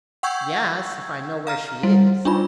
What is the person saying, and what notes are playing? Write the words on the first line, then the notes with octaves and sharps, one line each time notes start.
"Yes, if I know where she is!"
F#5 G5 C#6 E6 G6 G#6
F5 A#5 F6
G3
D4 D#4 F4 B5